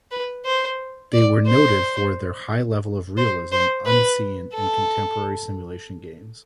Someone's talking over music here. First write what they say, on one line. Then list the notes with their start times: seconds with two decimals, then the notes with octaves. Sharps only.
They were noted for their high level of realism unseen in contemporary simulation games.
0.11 B4
0.45 C5
1.13 D5
1.47 C5
3.17 C5
3.52 C5
3.86 B4
4.54 A4